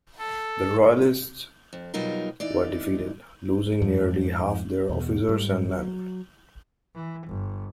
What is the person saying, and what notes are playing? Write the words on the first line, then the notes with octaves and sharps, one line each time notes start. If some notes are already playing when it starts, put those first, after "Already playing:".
The Royalists were defeated, losing nearly half their officers and men.
A4
F2
B2 F#3 G3 D#4 F4 A#4
E3 D#4 D5
F2 G#2
E2 B2
G#2 G3
F#3
E3
G1